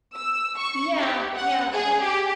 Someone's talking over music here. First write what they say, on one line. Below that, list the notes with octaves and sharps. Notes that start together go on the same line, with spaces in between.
Yeah, yeah. Well,
E6
C#6
G4
F#5
G#4
G4